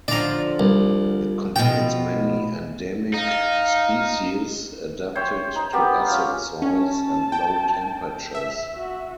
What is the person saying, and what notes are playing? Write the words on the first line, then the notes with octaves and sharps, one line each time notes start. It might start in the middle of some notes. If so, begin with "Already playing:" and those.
It contains many endemic species adapted to acid soils and low temperatures.
D3 F3 D5 A#5
C2
B2 F3 G5
D#4 F5
C5 C#5 E5 G5
D#4 C5
B3 C4 G4 A#4
C#4 F4 C5 F5
C#4 A5
G5
E5
F#4